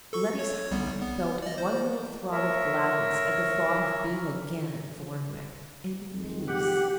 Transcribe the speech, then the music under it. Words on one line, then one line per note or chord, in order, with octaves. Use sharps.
Letty's heart felt one little throb of gladness at the thought of being again at Thornwick, and in peace.
A4 C#6
C#5
B1 G3 B3
B3
D5 D#5
C5
A#4 C#5 E5
F2 D#3 G#3
G4 F#5